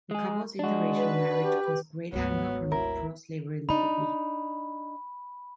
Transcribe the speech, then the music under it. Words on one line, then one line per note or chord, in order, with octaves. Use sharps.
The couple's inter-racial marriage caused great anger from the pro-slavery lobby.
G#3 G#4
G#3 D4 F#4
B4
G4
G#1 D2 F#3 B3
E4 A#4
D4 D#4 B5